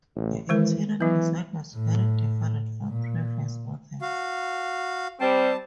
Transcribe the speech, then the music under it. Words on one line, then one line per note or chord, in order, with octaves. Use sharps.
The interior design was very different from previous models.
A1
D#3 E3 G#3 A#4
E3 F#3 B3
A2
A#2
F#4 F5
G3 C4 A5